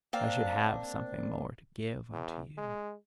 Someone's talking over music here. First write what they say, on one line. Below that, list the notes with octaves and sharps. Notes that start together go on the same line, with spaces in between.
I should have something more to give unto you!
A#3 C4 D4 F5
E2
G#3